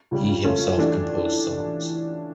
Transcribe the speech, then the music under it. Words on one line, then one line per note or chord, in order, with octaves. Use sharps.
He himself composed songs.
C#2 C#3 G3
A#2 F3 A3 C#4 F4
E3 A3 D4 G4